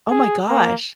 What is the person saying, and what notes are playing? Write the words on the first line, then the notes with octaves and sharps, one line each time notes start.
Oh my gosh.
G#4
A#3